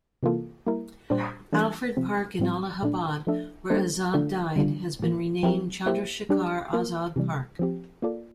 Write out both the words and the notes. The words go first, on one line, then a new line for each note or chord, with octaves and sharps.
Alfred Park in Allahabad, where Azad died, has been renamed Chandrashekhar Azad Park.
C3 E3 A#3 F4 A4
G3 A#3 E4 A#4
A#2 G3 D4 G4 C5
E3 G3 A#3 D4
C3 F3 C4
A2 G3 C4 F4
A#2 A3 D4
F3 A3 D4 A4 E5
G3 A#3 D4 A4 C5
D3 A3 D4 F4 A4
D3 G3 D4 F4
A2 E3 A#3
F3 C4 E4 G4 A#4
A#3 E4 G4 C5 E5
G3 D4 G4 D5
A#3 F4 A#4
C3 E3 G3
F3 C4 G4
A#3 F4 A4 D5